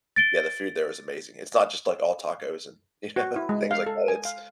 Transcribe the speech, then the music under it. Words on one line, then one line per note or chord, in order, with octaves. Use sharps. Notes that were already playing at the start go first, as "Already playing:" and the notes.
yeah the food there is amazing, it's not just, like, all tacos and, you know, things like that, it's,
A6 D7 G7
F#4
E4
G#3
F5
A4
G#5
F5